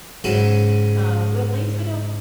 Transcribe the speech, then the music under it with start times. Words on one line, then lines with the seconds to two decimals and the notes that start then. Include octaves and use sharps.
Oh, at least we don't
0.24 G#2 C#3 F#3 C#4 E4 F#4